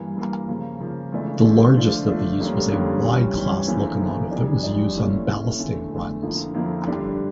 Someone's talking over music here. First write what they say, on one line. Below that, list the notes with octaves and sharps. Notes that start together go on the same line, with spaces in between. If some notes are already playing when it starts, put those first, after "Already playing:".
The largest of these was a Y-class locomotive that was used on ballasting runs.
Already playing: G2 E3 A#3
G2 E3 A#3
C#3 F3 A#3
C#3 F3 A#3
C#2 C#3 E3 A3 D4
C#2 C#3 E3 A3 D4
D3 F3 A3 D4 F4
D3 F3 A3 D4 F4
F2 D3 G3 A#3 C#4
F2 D3 G3 A#3 C#4
G2 E3 G3 C#4
G2 E3 G3 C#4
E2 D3 F3 A#3 E4
E2 D3 F3 A#3 E4
F2 E3 G3 D4
F2 E3 G3 D4
A#2 A3 C#4 E4
A#2 A3 C#4 E4
E2 D3 A3
E2 D3 A3
F2 D3 F3 A#3 E4
F2 D3 F3 A#3 E4
G2 D3 G3 D4